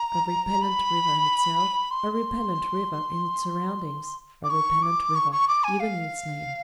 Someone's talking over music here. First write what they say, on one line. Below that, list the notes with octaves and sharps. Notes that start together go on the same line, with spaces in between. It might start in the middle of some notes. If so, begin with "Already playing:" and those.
A repellent river in itself, a repellent river in its surroundings, a repellent river even in its name.
Already playing: A#5
B5
C6
D6
C#6
D6
C#6
C#6
D6
G#5
F5